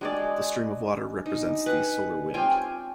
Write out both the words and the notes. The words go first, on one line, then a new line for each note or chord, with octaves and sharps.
The stream of water represents the solar wind.
G#3 C#4 D4 F#4 G#4 D5
D#4
G#4 B4 F#5
C4 C#4 F4 G4 G5 G#5